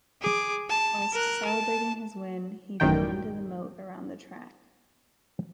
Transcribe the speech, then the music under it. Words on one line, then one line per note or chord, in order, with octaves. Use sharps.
Whilst celebrating his win, he fell into the moat around the track.
G#4 D6
A5
A#4 F#6
A5
A1 F#2 D#3 G5